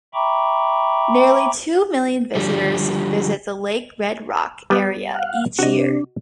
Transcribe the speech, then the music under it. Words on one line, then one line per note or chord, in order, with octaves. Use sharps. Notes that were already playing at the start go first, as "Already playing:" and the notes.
Nearly two million visitors visit the Lake Red Rock area each year.
E5 G5 A#5 B5 C#6 D6
D3 F3 G3
G3 B3
F5 F#5
C3 D4 F#4 D#5